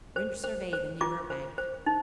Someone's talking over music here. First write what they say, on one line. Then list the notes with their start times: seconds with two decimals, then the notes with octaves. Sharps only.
Rynch surveyed the nearer bank.
0.16 C5
0.44 C5
0.73 C5
1.01 F4 D6
1.30 C5
1.58 C5
1.86 D#4